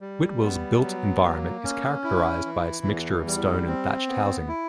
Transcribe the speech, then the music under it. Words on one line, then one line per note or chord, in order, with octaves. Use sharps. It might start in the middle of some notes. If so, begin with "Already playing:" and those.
Whitwell's built environment is characterised by its mixture of stone and thatched housing.
G3
B3
F#3
A#3
C#4
E4
E3
E2
G3
C4
B3
E4